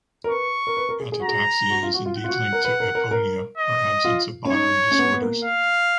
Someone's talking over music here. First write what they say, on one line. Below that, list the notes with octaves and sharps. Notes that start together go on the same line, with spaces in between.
Atataxia is indeed linked to aponia or absence of bodily disorders.
A#4
B4 C#6
A#4
B4
A#4
G#4
G#4
F#4
G#4 A#5
F#4
F4
F#4
F4
F#5
F4
F#4
A#4
B4
A#4
A#4
A#4
D#5
F4
C#4
D#4 C#5
C#4
B3
B3
A#3
F5